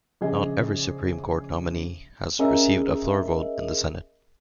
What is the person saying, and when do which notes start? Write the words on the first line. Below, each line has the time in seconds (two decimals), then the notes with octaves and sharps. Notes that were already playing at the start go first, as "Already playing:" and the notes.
Not every Supreme Court nominee has received a floor vote in the Senate.
0.21 A#1 C#3 G#4 D#5
2.39 C#4 G#4 A#4 D#5 E5